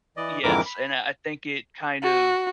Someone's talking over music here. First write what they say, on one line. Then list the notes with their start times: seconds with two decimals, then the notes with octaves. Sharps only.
yes, and I, uh, think it kind of,
0.17 E3 D5 D#5
0.43 F2 G#2 D3 E3 A#4 D6
0.65 B5
2.02 F#4